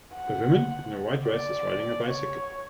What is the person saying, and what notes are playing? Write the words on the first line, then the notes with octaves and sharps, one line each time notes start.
A woman in a white dress is riding a bicycle.
F#5
D5
C#5